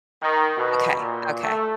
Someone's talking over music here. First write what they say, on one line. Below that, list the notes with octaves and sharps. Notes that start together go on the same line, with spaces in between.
Okay, okay.
D#3
B2
A#2
A3